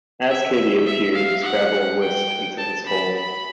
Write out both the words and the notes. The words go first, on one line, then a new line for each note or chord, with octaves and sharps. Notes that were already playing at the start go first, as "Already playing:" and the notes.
As Katie appeared, Scrabble whisked into his hole.
E5
E5
F5
F#5
G5
A5
B5
B5